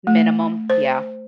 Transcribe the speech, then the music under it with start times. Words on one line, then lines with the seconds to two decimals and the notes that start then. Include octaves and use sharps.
Minimum, yeah.
0.07 A3
0.70 C5